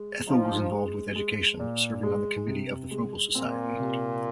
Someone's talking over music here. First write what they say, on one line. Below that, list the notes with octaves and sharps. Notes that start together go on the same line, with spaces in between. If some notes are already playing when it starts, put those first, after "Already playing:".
Ethel was involved with education serving on the committee of the Froebel Society.
Already playing: G#3
F3 D#4
G#3
G#3
A#2
G#3
C3
G#3
A#2 C4
C3